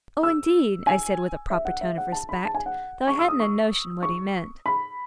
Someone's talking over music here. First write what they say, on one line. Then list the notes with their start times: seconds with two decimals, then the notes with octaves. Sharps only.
'Oh, indeed,' I said with a proper tone of respect, though I hadn't a notion what he meant.
0.23 E6
0.87 G#5
1.50 E5
1.65 F#5
1.81 E5
1.98 F#5
2.12 A5
2.29 B5
2.45 A5
2.55 G#5
2.66 F#5
3.08 C#6
3.19 E6
3.28 D#6
3.40 C#6
4.03 C#6
4.66 B5